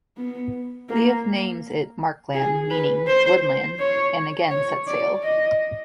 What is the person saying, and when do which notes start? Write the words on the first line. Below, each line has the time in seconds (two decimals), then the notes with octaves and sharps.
Leif names it Markland meaning "Wood land" and again sets sail.
0.17 B3
0.89 A#3
2.34 G#4
2.70 B4
3.07 C5
3.79 C#5
4.51 C#5
4.87 D5
5.23 D#5